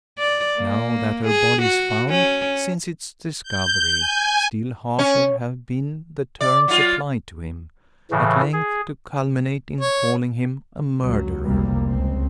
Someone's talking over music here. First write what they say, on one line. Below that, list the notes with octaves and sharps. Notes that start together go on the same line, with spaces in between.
Now that her body is found, since its discovery, still harsher have been the terms applied to him; at length, to culminate, in calling him a murderer!
D5
A#3
G#4
F#4
C#4
G6
G#5
C#4
D5
F#3 F4
A2 C#3 E3
G#4
C#5
C#2 F#3
F1 C2 C3 G3 A#3
C#2 C4